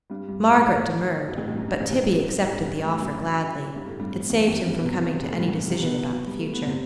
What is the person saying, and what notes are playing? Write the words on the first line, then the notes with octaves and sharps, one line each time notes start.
Margaret demurred, but Tibby accepted the offer gladly; it saved him from coming to any decision about the future.
G2 G3
G2 G3
A2 A3
B1 B2
A1 A2
G2
F#2
G2
A1 A2
A1 A2
G2
A2 A3
G2 G3
F#2 F#3
A2 A3
F#2 F#3
G2 G3
A2 A3
G2 G3
E2 E3
E2 E3
F#2 F#3
G2 G3
B2 B3
C3 C4
B2 B3
A2 A3
G2 G3
E2 E3
D2 D3
C2 C3
B2 B3
F#3
G3
A3
B3
C3 C4